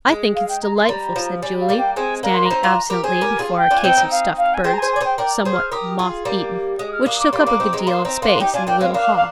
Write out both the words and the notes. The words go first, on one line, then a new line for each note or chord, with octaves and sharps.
"I think it's delightful," said Julie, standing absently before a case of stuffed birds, somewhat moth-eaten, which took up a good deal of space in the little hall.
G#3
F5
G5
A#5
C6
G3 A#5
F3
G3 G#5
F5
G3 A#3
G5
G#3 C4 G#5
A#3 D4 A#5
C6
A#5
C4 D#4
D4 F4
G4 A#4
G#4 C5 G#5
G4 A#4
F4 G#4
G5
D4 F4
G#5
C4 D#4 G5
C4 D#4
F5
F5
G#5
G#4 C5 G5
A#5
G#4 C5 G#5
D5 G#5
G#4 C5 G5
A#4 D5 G5
G#4 C5
F6
G4 A#4 D#6
F4 G#4
G3 A#3
G#3 D#6
F6
A#3 D4 D#6
D6
G3 A#3 C6
A#3 D4 D6
C4 D#4
G#3 C4
A#5
A#3 D4 C6
C4 D#4 A#5
A#3 D4 C6
D#4 G4 G5
D4 F4 G#5
A#3 D4 G5
G#3 C4 F5
A#3 D4 F5
F5